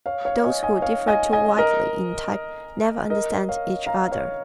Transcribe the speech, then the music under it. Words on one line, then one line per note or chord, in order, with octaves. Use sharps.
Those who differ too widely in type never understand each other.
C#5 F5
C#5 F5
D#5 G#5
D#5 G#5
C#5 F5
D#5 G#5
D#5 G#5
A#4 D#5
A#4 D#5
C#5 F5
F5 A#5
C#5 F5